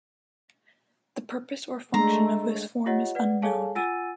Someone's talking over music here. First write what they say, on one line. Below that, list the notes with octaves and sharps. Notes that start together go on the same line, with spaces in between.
The purpose or function of this form is unknown.
G#3 A3 D4 A#5 C6
F4 G4 C#5 D#5 F#5
B4 D5 F#5
G#4 A4 C#5 F5 G#5 A5
F4 F#5 G#5 E6 A6 D#7